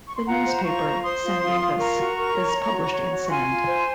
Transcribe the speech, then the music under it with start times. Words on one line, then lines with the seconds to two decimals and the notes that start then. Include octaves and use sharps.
The newspaper "Sande Avis" is published in Sande.
0.06 C#6
0.16 C6
0.26 F4 F#5 A#5
0.46 C5
0.65 F4 A#5 C#6
0.83 C5
1.02 C5 C6 D#6
1.22 F4
1.40 F4
1.60 F4
1.78 A#4 A#5 C#6
1.97 F#4
2.17 A#4
2.35 C#5
2.54 C#5
2.73 F#4
2.92 C#5
3.11 F#4
3.25 C#6
3.29 F4 G#5 C6
3.49 F4
3.69 C5